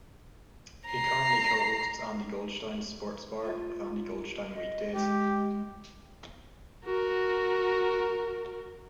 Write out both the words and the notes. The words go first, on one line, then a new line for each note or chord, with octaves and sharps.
He currently co-hosts Andy Goldstein's Sports Bar with Andy Goldstein weekdays.
A#5 C7
F4
D#5
G#3 G4
F#4 A#4